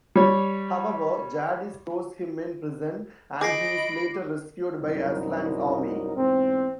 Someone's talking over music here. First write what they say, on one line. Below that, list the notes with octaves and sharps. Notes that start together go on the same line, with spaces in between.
However, Jadis throws him in prison and he is later rescued by Aslan's army.
G3 C#5
G#4 D#5 B5 D6 A#6 C7 D7
C2 F#2 F#3 D#4 A#4
E2 G#2 C4